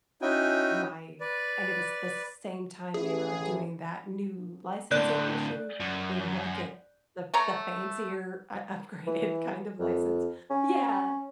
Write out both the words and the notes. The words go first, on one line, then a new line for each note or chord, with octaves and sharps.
my and it was the same time they were doing that new licensing issue where you had to get the the fancier u upgraded kind of license. Yeah.
C#4 D#4 E4 F#4 G5 G#5
B4 D5
A1 E3 G#4
A2 D3 D5 F#6 G6
F#2
A3 C#5 A#5
E3
F2
C#4